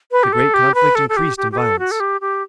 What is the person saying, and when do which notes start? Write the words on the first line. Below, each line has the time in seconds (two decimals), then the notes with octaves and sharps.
The great conflict increased in violence.
0.12 B4
0.23 G4
0.33 A4
0.54 G4
0.75 B4
0.95 A4
1.09 A4
1.17 G4
1.37 G4
1.52 G4
1.58 A4
1.79 F#4
1.91 A4
2.00 G4
2.21 G4